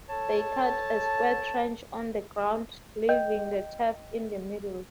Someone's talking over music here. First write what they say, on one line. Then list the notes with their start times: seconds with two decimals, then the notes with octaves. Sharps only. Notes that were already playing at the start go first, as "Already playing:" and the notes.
They cut a square trench on the ground, leaving the turf in the middle.
0.09 A4 C#5 A5
3.09 D#5 G5 G6